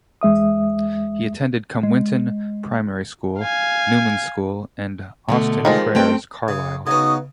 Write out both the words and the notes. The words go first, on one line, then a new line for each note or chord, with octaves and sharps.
He attended Cumwhinton Primary School, Newman School and Austin Friars, Carlisle.
E2 G#3 E5 D#6
G#3
F5 G#5
B2 D3 A3
D#3 F3 G#3
A3 C4 G5
C#3
C#3 B3 C#4 D#4 F#4 D#6